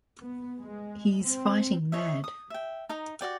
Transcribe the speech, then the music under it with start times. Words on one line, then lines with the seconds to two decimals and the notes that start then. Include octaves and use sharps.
He's fighting mad!
0.22 B3
0.58 G#3
1.22 C4
1.92 C#5 D#5 E5
2.24 D#6
2.50 E5 G5
2.89 D#4 A#5 D#6
3.21 F#4 D5 G5